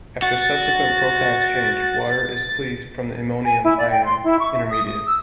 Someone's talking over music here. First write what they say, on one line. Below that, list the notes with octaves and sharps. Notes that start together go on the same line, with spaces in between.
After subsequent proton exchange, water is cleaved from the iminium ion intermediate.
F#4 A6
G#5
E4
D5
G5
C6
E4
C#6
E5
D#6
D#6
E6